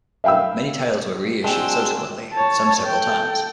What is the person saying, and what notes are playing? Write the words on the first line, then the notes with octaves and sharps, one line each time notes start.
Many titles were reissued subsequently, some several times.
E5 F5 G5 B5 E6
G#3 C4 D4 F#4 G#4 C5 G5 E6
C#5 A5
A4 G5